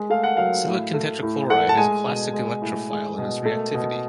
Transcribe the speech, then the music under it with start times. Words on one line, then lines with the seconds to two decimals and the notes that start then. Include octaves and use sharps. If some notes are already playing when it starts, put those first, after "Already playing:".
Silicon tetrachloride is a classic electrophile in its reactivity.
Already playing: G#3
0.10 A3 F5
0.24 F#5
0.37 F#3 F5
0.66 A2
0.93 A3
1.22 A2
1.50 A3 F#5
1.69 A5
1.77 G#3 G#5
2.06 B2
2.33 G#3
2.62 A2
2.90 G#3
3.18 B2
3.45 A3
3.74 B2